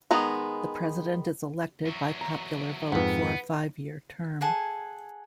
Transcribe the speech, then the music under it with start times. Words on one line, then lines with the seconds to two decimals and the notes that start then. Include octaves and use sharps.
The president is elected by popular vote for a five-year term.
0.11 D#3 G#3 B3 A#5
1.86 E2 F#3
2.21 A#5
2.92 F2 G#2 B3 B4 F#5
4.41 G#4 A4 F#5 G#5